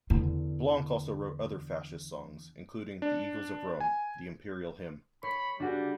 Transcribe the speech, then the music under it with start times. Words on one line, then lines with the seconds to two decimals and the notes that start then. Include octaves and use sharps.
Blanc also wrote other Fascist songs, including "The Eagles of Rome", the Imperial Hymn.
0.10 E2 D3
3.02 D4
3.80 G#5
5.23 C#5 B5 C7 C#7
5.60 G3 D4 F#4 G#4